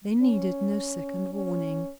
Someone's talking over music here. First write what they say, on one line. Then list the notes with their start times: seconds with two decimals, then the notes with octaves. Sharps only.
They needed no second warning.
0.22 C#4
1.33 C#4